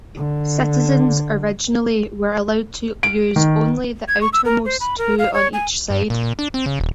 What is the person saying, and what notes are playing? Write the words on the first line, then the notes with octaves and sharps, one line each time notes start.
Citizens originally were allowed to use only the outermost two on each side.
D3
D7
D#3
G#6
C#6
E6
A#4
C5
B5
A#4
F5
C#5
G#5
G2
A#2
A#2
D4
C4
C#3
D#1